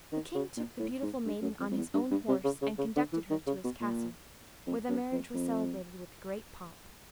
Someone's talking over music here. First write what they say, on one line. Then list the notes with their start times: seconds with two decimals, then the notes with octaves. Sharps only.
The king took the beautiful maiden on his own horse and conducted her to his castle, where the marriage was celebrated with great pomp.
0.12 D#3
0.35 C#3
0.57 A#2
0.79 A2
1.02 G#2
1.26 G2
1.42 F#2
1.60 F2
1.71 F2
1.77 E2
1.94 G2
2.11 G2
2.28 C3
2.44 C#3
2.62 C#3
2.78 C#3
2.96 D3
3.13 E3
3.30 D#3
3.47 C#3
3.64 B2
3.81 A#2
4.67 F2
4.89 F#2
5.12 F2
5.34 F2